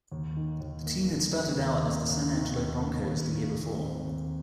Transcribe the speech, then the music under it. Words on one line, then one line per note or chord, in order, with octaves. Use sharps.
The team had started out as the San Angelo Bronchos the year before.
D#2
D#3
D#2
A#3
D#2
D#3
D#2
A#3
D#2
D#3
D#2
A#3
D#2
D#3
D#2
C4
D#2